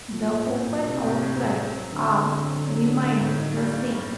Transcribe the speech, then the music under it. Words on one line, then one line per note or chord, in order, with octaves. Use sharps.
The open outcry hours remained the same.
A#2 A3
A2
A2
F#3
C3 A3
A2
A2
F#3
C4
F#3
D3 F#3
A3
C4
F#3
F#3
A3
A#3
A2
D#4
G3
A#3
A2